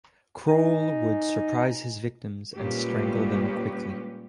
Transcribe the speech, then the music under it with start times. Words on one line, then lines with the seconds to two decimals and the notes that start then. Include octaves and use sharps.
Kroll would surprise his victims and strangle them quickly.
0.49 D#4 D#5 G#5
2.57 A#2 G3 G#3 C#4 G4 B4